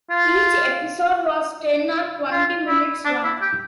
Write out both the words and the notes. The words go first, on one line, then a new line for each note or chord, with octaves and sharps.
Each episode was ten or twenty minutes long.
F4
F4
E4
D4
E4
G4